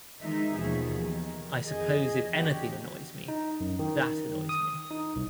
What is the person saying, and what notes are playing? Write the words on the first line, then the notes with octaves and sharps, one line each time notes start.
I suppose if anything annoys me, that annoys me...
D#3 E3 G#3 D#4 E5
D#2 B2 F3 G#4
D#3 E3
F2 G#4 D#5
E2 D3 F#4 G4
D#4
F#2
D#3
D#6
D#4
C2